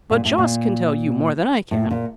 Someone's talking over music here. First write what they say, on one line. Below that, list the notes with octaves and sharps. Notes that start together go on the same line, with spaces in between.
But Jost can tell you more than I can.
A#2
A2
A#2
A2
A#2